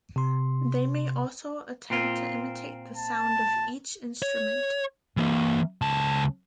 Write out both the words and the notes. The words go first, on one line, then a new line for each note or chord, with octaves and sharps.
They may also attempt to imitate the sound of each instrument.
C3 C6
A#2 C4 F4
A5
C#5
E3 A#3
C#2 A5